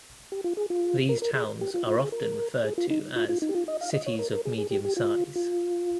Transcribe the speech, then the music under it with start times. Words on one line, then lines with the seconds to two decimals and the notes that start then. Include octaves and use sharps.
These towns are often referred to as "cities of medium size".
0.32 G4
0.44 F4
0.57 G#4
0.70 F4
1.09 A#4
1.22 A#4
1.35 G#4
1.61 G4
1.74 F4
1.87 F4
2.00 G#4
2.12 A#4
2.64 G#4
2.78 F4
2.90 D#4
3.16 F4
3.29 F4
3.42 D#4
3.49 G4
3.55 F4
3.68 D#5
3.81 F5
3.93 D#5
4.06 C#5
4.19 A#4
4.32 A#4
4.45 G#4
4.58 G#4
4.71 G4
4.85 G4
4.97 F4
5.36 F4